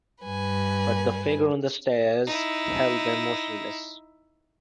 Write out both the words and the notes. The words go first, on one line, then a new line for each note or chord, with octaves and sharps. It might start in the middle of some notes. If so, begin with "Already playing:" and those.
But the figure on the stairs held them motionless.
G2 B4 G#5
D#4 E4